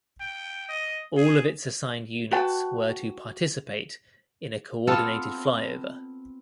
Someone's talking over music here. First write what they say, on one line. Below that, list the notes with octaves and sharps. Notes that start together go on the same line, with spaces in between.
All of its assigned units were to participate in a coordinated flyover.
G5
D#5
G#4
F#4 B4 G5 A5
B3 C4 F4 A4